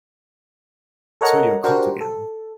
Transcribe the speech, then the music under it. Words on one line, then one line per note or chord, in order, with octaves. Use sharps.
So you are caught again!
A4 A#4 C#5 D#5 F#5 A#5
D4 F#4 G4 A#4 C5
A4